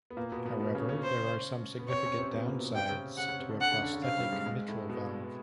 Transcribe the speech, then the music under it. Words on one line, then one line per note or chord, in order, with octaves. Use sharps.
However, there are some significant downsides to a prosthetic mitral valve.
B3
A#2 A#3
B2 B3
B2 B3
B2 B3
C#3 C#4
C#3 C#4
C5
B3
C3 C4 C#5
C#4
C3 C4
B2 B3
A#2 A#3
B2 B3
C3 C4 G5
C#3 C#4
C#3 C#4 F#5
C#3 C#4
C3 C4
D3 D4
D3 D4 F#5
C#3 C#4
D3 D4
C#3 C#4
C3 C4 F5
G2 G3
G#2 G#3
G#2 G#3
A2 A3
B2 B3